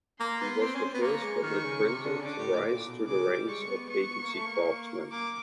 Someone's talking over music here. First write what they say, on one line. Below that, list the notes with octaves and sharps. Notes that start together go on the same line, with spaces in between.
He was the first Public Printer to rise through the ranks of agency craftsmen.
A#3 C6
B3
C4
C#4
C4
B3
A#3 C#6
G#3
D#3 C#6
C#3
C3
D3
C#3
D3 D6
A2
A2
A#2
B2
C#3 D6
G3
G#3 C#6
B3
B3 C#6
B3
A#3
A3
A#3
A#3 D6